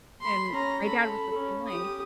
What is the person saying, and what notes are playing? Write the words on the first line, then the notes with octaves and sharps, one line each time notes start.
And my dad was the same way.
B5 C6
C#4 A#5
A4 B5
C#4
G4 D#6